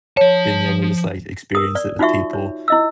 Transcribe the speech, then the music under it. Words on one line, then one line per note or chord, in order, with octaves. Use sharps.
being able to just like experience it with people,
F3 C#5 A5
A#4 D#6
D5
D#4 F4 F#4 E5 C#6
C#5
E4 D#5 E6